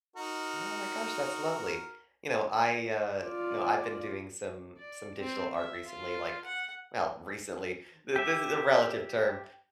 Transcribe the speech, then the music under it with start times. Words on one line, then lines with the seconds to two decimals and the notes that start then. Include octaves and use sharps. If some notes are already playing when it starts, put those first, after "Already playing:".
Oh, my gosh, that's lovely. You know, I, uh, know, I've been doing some some digital art recently, like well, recently, th this is a relative term.
0.16 D#4 F#4 A#4
3.21 F4 D5
4.78 D5
5.19 C4
5.53 E5
5.86 F4
6.45 F#5
8.16 G4 E5